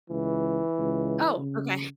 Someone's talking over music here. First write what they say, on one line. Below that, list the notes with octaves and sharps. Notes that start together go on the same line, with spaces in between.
Oh, okay.
C#2 E3
C#2
C#3